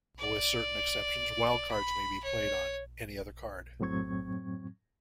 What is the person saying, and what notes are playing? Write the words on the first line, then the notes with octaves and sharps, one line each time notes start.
With certain exceptions, wildcards may be played on any other card.
D5
B5
C#5
F#2 A2 F#3 C4 C#6 G#6